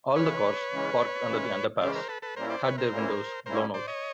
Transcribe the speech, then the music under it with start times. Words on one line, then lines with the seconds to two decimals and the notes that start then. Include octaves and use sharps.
All the cars parked under the underpass had their windows blown out.
0.16 C#3 E3 G#3 C#4 B4 C#5
0.71 C#3 E3 G#3 C#4
1.26 C#3 E3 G#3 C#4
1.81 C#3 E3 G#3 C#4 C5 D5
1.95 A#4 C5
2.08 A4 B4
2.22 A4 B4
2.36 A#2 G3 A#3 C#4 E4 A#4 C5
2.49 C5 D5
2.64 B4 C#5
2.78 A#4 C5
2.91 A#2 G3 A#3 C#4 E4
3.46 A#2 G3 A#3 C#4 E4 A#4 C5
3.74 C5 D5
3.87 C#5 D#5